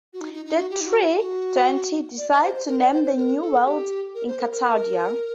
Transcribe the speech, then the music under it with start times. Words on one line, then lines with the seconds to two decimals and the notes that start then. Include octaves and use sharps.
The three deities decided to name the new world Encantadia.
0.13 F#4
0.21 D#4
0.34 D#4
0.45 D#4
0.58 F#4
0.70 G4
0.81 D#4
0.87 F#4
1.20 F#4
2.18 D5
2.31 D#5
2.43 C5
2.55 C5
2.67 A#4
2.80 D5
2.92 C5
3.04 C5
3.17 A#4
3.42 A4
3.66 G4
4.15 A#4
4.28 C5
4.40 A#4
4.52 A#4
4.64 A#4